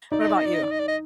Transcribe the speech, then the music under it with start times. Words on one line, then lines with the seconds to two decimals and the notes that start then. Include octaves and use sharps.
what about you?
0.12 D#4 D5
0.20 D#5
0.29 D5
0.37 D#5
0.46 D5
0.54 D#5
0.63 D5
0.71 D#5
0.79 D5
0.88 D#5